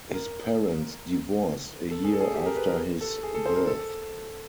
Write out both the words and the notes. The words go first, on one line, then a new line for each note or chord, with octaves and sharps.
His parents divorced a year after his birth.
A#4
A4
G#4
A4
G#4
G4
A#4
B4
A#4
A4
G#4
A4
C5
A#4
A4